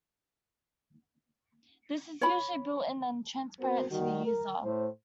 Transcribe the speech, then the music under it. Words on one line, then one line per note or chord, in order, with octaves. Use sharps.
This is usually built in and transparent to the user.
C#5 B5
B3 C4 F#4 A#4 C5
D#3 G3 F#4
A#4
A2 C5